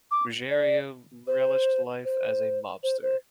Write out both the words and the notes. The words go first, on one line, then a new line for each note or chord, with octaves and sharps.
Ruggiero relished life as a mobster.
D6
D5
C5
C5
C5
C5